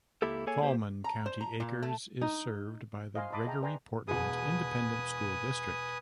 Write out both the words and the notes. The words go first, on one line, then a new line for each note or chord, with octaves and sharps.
Falman-County Acres is served by the Gregory-Portland Independent School District.
C#2 A#3 E4 G4 A4
A#3 G#4 A4 C#5 G#5
A#3 G4 C5
A#5
C5
A#5
A#2
A3
D#4
C5 D#5 F5 G#5 C6
D#5 A5 B5 C6 D6 D#6
G#4 D#5 E5 G5 A5 A#5
B4 D5 G5 G#5 A#5 C6
E1 G#4 B4 G#5 D#6